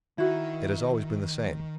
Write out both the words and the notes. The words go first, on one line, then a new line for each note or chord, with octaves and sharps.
It has always been the same.
D#3 E4 F#4